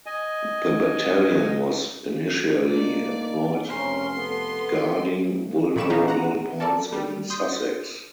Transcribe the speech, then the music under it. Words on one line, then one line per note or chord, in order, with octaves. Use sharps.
The battalion was initially employed guarding vulnerable points in Sussex.
D#5 G#5
D2 A#3 D#4 D5
F1 G2 C#3 C4 C#4 A#4 C6
B3 A4
A#2 D#3 B5 C#6 D6 E7
B3 C#4 D#4 F5 A#5
F#5 A#5
A4 A#4 D5 A5
G3
C6 D#6 G6